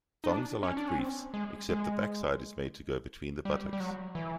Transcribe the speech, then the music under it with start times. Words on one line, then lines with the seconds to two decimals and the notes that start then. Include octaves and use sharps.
Thongs are like briefs, except the backside is made to go between the buttocks.
0.24 D#4
0.28 D4
0.63 C#4
0.77 D4
0.88 C#4
0.99 C4
1.34 G#3
1.69 G#3
3.45 G3
3.73 G3
3.80 F#3
4.15 E3